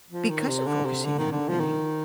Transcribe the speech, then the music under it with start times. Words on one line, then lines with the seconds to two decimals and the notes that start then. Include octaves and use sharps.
because of focusing on winning
0.11 F3
0.30 D#3
0.48 C3
0.67 D3
0.85 C3
1.04 D3
1.18 D#3
1.32 D3
1.48 F3
1.59 D#3